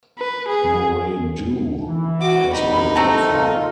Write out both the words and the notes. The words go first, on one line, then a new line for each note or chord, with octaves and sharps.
Morradoo has one platform.
B4
G#4
E3
F#4 D6
A#1 C3 D#4 B5
A3 C4 A#5
G#1 A#2 F4